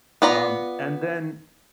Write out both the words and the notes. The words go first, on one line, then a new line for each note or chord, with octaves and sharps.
Um, and then
B3 F4 D5 A#5